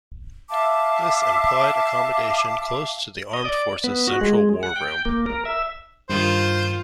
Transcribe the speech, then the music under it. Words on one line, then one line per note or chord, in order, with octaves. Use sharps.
This implied accommodation close to the armed forces' Central War Room.
E5 F5 A5 D6
D#5
D5
B3
F#4
G#3
F#5
G5
A#3
A#4
E5
G2 D#3 F4 C5